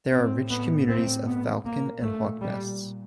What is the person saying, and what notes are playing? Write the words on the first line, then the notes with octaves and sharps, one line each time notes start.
There are rich communities of falcon and hawk nests.
A2 C4
B3
C4
B3
A#2 A#3
A3
G3